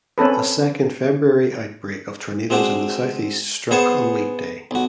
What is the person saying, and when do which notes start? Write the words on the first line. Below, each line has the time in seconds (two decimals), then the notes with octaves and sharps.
A second February outbreak of tornadoes in the Southeast struck on Leap Day.
0.18 C4 C#4 A4 B4
2.50 G#3 C4 D4 F#4
3.71 B3 G#4 C5 F#5 G#5 A5
4.71 B1 F#4